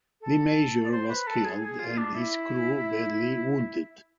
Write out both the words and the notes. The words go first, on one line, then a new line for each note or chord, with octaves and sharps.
The major was killed and his crew badly wounded.
A4
D5
C5
B4
A4
G#4
G#4
F4
D4
E4